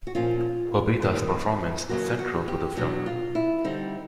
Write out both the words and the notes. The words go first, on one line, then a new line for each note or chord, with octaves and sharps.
Bobita's performance was central to the film.
F#4
A#2 F3 A#3 C#4 F4
F#2 D#3 G3 C4
E2 C#3 F#3 A#3 F#4
F#4
G4
B2 F#3 B3 D4 F#4
F4
E4
D3 G3 C4 D#4